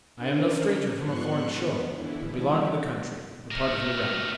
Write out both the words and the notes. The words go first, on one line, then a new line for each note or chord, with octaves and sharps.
I am no stranger from a foreign shore, but belong to the country, a part of your realm.
C#4 D4 A#4 C5
G#2 F3 B3 C6 C#6 F#6
B3
D3 E3 E4
F3 G3 E4
A3 A#4